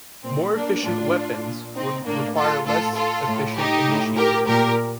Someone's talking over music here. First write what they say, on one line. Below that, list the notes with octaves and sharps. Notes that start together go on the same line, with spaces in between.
More efficient weapons would require less efficient initiators.
A#2 C4
A#3 D4
A2 D4 F4
A#2
C4 D#4
A2 A#3 D4
F4 A4
A2 F4 A4
F4 A4
A2
D#4 G4
A2
G4 A#4
A#2 G4 A#4